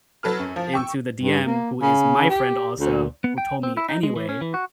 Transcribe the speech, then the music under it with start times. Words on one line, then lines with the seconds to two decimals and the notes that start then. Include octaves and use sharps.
into the DM, who is my friend also- who told me anyway-
0.23 F#3 A4 B4 F6
0.39 F#2
0.56 F3
0.73 G5 C#6 E6
1.23 G2
1.46 A#3
1.82 C#3
2.29 G4
2.79 D2
3.24 B3
3.38 G5
3.63 C4
3.77 E4
3.89 D#4
4.03 G#3
4.16 E3
4.29 C#4
4.41 E3
4.54 F#4